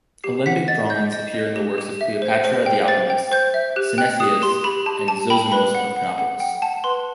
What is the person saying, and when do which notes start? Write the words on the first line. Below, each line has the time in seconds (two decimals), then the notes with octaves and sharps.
Alembic drawings appear in works of Cleopatra the Alchemist, Synesius, and Zosimos of Panopolis.
0.24 G4 C7
0.46 F#5 B6
0.68 D#5 A6
0.90 D#5 G6
1.13 D#5
1.34 D#5
1.56 G4
1.78 G4
2.01 E5
2.22 C5
2.45 C5
2.66 G5
2.88 C5 A6
3.10 G5
3.32 C5 G6
3.54 E5
3.76 G4 F#6
3.98 G5 F#6
4.20 G4 D#6
4.42 G4 C6
4.64 G4 B5
4.86 G4 A5
5.08 G4 A5
5.30 G5 B5
5.52 B4 B5
5.75 F#5
5.96 F#5
6.18 F#5
6.40 F#5 G5
6.62 F#5 A5
6.84 B4 C6